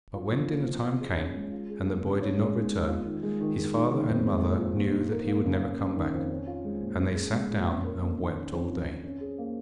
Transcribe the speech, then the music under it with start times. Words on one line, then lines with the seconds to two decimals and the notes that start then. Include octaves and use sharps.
But when dinner-time came, and the boy did not return, his father and mother knew that he would never come back, and they sat down and wept all day.
0.15 F4
0.32 F3
0.50 A#3
0.67 F3
0.84 F4
1.00 G#4
1.17 C#4
1.35 G#3
1.51 F4
1.70 G#4
1.86 A#3
2.04 C#3
2.21 C#5
2.37 G#3
2.54 D#4
2.72 G#3
2.88 F4
3.06 D#3
3.23 G#3
3.40 D#3
3.56 G#3
3.74 D#4
3.91 D#3
4.08 F2
4.25 G#3
4.42 A#2
4.59 F3
4.77 A#2
4.94 D#4
5.11 A#4
5.27 A#3
5.45 C#3
5.62 A#3
5.80 C#4
5.96 D#3
6.13 F2
6.31 C#4
6.47 F4
6.65 G#3
6.81 A#2
6.99 C#4
7.15 G#4
7.33 G#3
7.51 A#2
7.67 C#4
7.84 A#4
8.01 A#3
8.18 D#3
8.35 C#4
8.52 F2
8.70 F3
8.86 F2
9.04 C#4
9.21 G#4
9.38 A#3